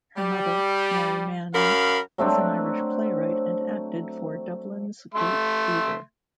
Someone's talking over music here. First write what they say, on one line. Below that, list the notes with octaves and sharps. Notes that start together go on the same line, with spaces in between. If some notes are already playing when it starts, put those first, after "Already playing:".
Her mother, Mary Manning, was an Irish playwright and acted for Dublin's Gate Theatre.
G3
F#2 A#4 F5 B5
F#3 A3 C4 D4
A3 E5 C6